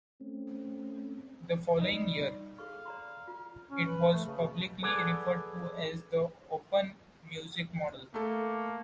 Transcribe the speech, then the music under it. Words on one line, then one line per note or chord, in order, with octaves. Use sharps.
The following year, it was publicly referred to as the Open Music Model.
A3 C4 C#4
G3 D#4
G#4 A4 F5 C#6
D5 A#5 C6
F4
C#4
B4
A3
C#3
B2
G#4 A4 B4 D5 F#5 G#5
A3 A#3 A4